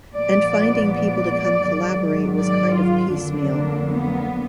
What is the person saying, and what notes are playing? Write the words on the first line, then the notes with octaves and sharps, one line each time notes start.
And finding people to come collaborate was kind of piecemeal.
A#2 F3 G#3 B3 D5
D5
G#2 D#3 F#3
D5
F4
F2 D3 F#3 A#3 D4
B3